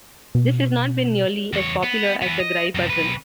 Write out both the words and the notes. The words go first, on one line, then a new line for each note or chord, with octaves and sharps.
This has not been nearly as popular as the gry puzzle.
B2
E2 C#5
B3
E3 B3
D#5
F#2 C3
B1 B4